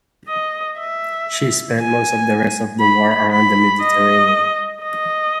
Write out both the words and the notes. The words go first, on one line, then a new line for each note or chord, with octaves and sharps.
She spent most of the rest of the war around the Mediterranean.
D#5
E5
G#5
B5
B5
D#5
D#5